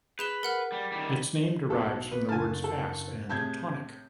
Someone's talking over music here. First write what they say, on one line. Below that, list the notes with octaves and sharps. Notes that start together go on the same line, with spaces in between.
Its name derives from the words “fast” and “tonic”.
G#4 B4 E7 G7
A#4 F#5 F6
G3
D#3 G3
B1 B2 D3 A4
B4
F#1 D3 G#5 A5 F6 A6
A4
A2 C3 G#4 A5 G6 G#6